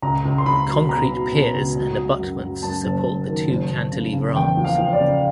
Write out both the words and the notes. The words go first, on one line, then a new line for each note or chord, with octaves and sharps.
Concrete piers and abutments support the two cantilever arms.
C#2 A#5
C#2
C6
C#2 B5
F#3
B2 A#5
F#3
B2
C#2
F#3
F#3
F#2
F#2
F#2 A5
F#1
F#1
D#3
F#1
F#1
C#3
C#3
E2 G5
F3
F5
F3
D5
C#3